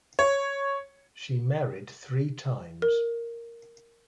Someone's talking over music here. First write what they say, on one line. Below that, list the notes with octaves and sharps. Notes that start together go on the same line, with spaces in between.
She married three times.
C#5
A#4